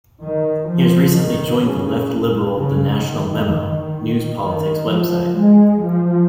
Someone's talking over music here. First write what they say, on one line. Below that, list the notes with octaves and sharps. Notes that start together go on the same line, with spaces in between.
He has recently joined the left-liberal The National Memo news-politics website.
D#3
F3
D#3
C#3
C#3
D#3
D#3
F3
G#3
F3